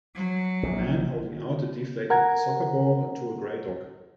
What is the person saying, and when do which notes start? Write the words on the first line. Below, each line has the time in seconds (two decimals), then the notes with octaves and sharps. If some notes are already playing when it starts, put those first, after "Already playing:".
A man holding out a deflated soccer ball to a gray dog.
0.15 F#3
0.63 A#1
2.10 A#4 F#5 A#5 G#6